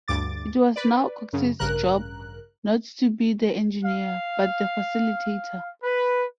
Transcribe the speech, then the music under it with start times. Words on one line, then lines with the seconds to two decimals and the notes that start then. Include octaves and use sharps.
It was now Cox's job not to be the engineer, but the facilitator.
0.08 D2 G2 D6 A6
0.76 B4 D5
1.33 F#2 C#3
1.59 A1 G2 C#3 A#4 F#6
3.84 F5
5.83 B4